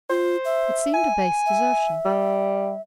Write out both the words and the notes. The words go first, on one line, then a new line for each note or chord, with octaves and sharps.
It seemed a base desertion.
F4 C5
E5
G#5
E5
G3